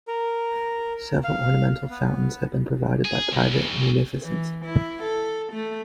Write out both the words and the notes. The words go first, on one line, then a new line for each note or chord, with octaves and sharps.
Several ornamental fountains have been provided by private munificence.
A#4
F5
B3
G#4
C#2
D#2 C#3
E3
E4
A4
A3